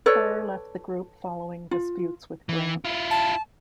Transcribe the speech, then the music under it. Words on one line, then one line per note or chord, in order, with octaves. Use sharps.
Kerr left the group following disputes with Grant.
A4 B4 C#5 D5
F4
E3
E4 F4
A5